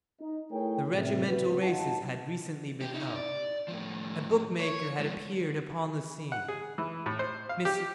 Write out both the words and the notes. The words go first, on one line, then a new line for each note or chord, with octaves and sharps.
The regimental races had recently been held; a bookmaker had appeared upon the scene--Mr.
D#4
A3 E4 G#4 A#4 C#5 G5
A2 C3
F#1 C2 F#4 B4
G2 F#3 D#4 F4 F#5 A5
A#2 G4
D#4 E4
D5
A2 F3
C#5
G#2 F3
F#5
G#4
E3
A2
C5
F5
G4